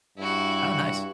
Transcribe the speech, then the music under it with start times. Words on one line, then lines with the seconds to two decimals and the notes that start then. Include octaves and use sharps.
Oh, nice.
0.18 G2 E4 F#4